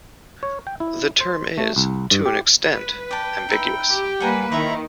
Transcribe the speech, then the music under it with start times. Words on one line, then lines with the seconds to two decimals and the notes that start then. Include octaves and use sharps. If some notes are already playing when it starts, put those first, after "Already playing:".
The term is, to an extent, ambiguous.
0.43 C#5
0.67 G5
0.80 E4
1.21 C5
1.58 A3
1.76 C2
2.11 G2
2.26 G4
2.63 B4
3.11 D5 G5 A5
3.49 D#4 E5 B5
3.90 G4
4.20 G3 A#3 B4 F#5 G#5 A#5
4.52 D#3 E4 C5 C#5 E5 A#5 B5